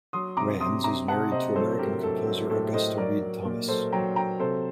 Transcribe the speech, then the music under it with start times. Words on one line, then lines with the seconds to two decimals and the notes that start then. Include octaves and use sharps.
Rands is married to American composer Augusta Read Thomas.
0.13 F#3 C6 D#6
0.37 C3 A#5 D6
0.60 C3 C6 D#6
0.84 C3 A#5 D6
1.08 C3 F#5 A5
1.32 C3 C5 D#5
1.55 F#3 A4 C5
1.79 A2 G4 A#4
2.03 F#3 A4
2.26 F#3 A4
2.50 A2 A4
2.74 A2 C5 D#5
2.97 F#3 A#4 D5
3.22 F#3
3.45 A#2
3.68 F#3 A4 C5
3.92 F#3 G5 A#5
4.16 F#3 G5 A#5
4.40 C3 A4 C5